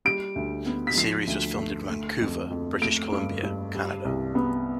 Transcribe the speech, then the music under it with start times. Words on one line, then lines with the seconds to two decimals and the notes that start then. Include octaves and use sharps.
The series was filmed in Vancouver, British Columbia, Canada.
0.05 G3 D7
0.36 D2
0.66 B3
0.87 B6
0.97 F3 C7
1.27 D2
1.58 A3
1.89 A3
2.21 F2
2.50 F2
2.81 A3 D7
3.12 G2
3.43 G2
3.74 G3
4.05 C2
4.35 B3